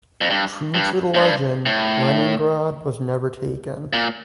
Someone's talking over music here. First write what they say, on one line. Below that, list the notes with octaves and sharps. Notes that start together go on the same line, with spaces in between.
True to the legend, Leningrad was never taken.
F2
G2
G2
A2
G2
A2
A#2